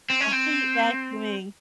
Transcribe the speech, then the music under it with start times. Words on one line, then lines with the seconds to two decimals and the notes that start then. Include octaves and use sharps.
I hate vacuuming.
0.10 C4
0.21 C#4
0.32 C4